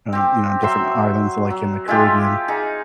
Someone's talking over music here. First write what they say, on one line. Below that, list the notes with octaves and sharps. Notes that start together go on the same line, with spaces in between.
um, you know, different islands like in the Caribbean.
C4 G4
F#3 E5 C6
F#3
G#3 E4 F4 G4
D#4 G#4